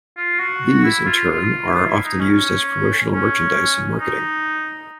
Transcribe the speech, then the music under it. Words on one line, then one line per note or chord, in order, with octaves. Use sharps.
These, in turn are often used as promotional merchandise in marketing.
F4
F#4
E4
F4
F4
E4
F4
E4
D#4
C#4
C#4
D#4